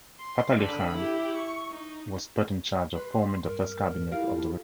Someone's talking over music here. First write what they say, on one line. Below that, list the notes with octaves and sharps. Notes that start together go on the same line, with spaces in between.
Fatali Khan was put in charge of forming the first cabinet of the republic.
C6
D3 B5
E4 G4
C#6
D#4
B4 C6
G2 A#4
E4 F4 G4 A4 A#4 F5